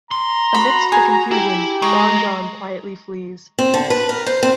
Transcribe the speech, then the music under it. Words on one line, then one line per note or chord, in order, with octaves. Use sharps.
Amidst the confusion, Don John quietly flees.
A#5 C6
F#4 B5
G#4
E4 G4
G#3 A#5 C#6
C4
D3
B4
A#4
C5
C4